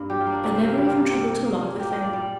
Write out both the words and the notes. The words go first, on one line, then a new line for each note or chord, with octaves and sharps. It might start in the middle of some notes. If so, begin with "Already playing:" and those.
I never even trouble to lock the thing.
Already playing: G2 A#3
G3 G4
F4
A#3
D4
C3 D5
C5
C3
A#4
G3 G4
F4
A#3
G4
C3
C3
A#3
A#2
A#3 G4
G4
A#2
D5
G3 D5